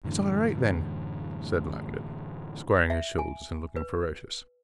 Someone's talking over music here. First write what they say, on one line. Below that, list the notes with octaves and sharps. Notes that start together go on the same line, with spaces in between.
"It's all right, then," said Langdon, squaring his shoulders, and looking ferocious.
F#2 A2 D3 E3
E5
G#5
B4